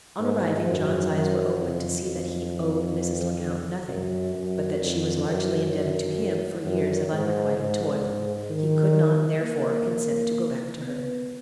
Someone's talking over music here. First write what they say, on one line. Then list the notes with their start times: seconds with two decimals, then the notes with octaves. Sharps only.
On arriving John's eyes were opened to see that he owed Mrs. Le Count nothing, but that she was largely indebted to him for years of unrequited toil; he could not, therefore, consent to go back to her.
0.19 G#2
0.66 F#2
1.11 F#2
1.57 F2
2.04 F2
3.89 F#2
4.35 F#2
4.81 F2
5.27 F#2
5.72 F#2
6.65 F#2
7.12 G#2
7.58 G#2
8.50 D#3
9.42 A#3
10.81 B3